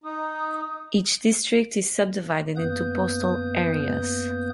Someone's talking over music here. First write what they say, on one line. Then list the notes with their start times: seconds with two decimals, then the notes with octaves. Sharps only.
Each district is subdivided into postal areas.
0.04 D#4 D#6
2.56 F#2 A#3 B3 B4 D#6 G6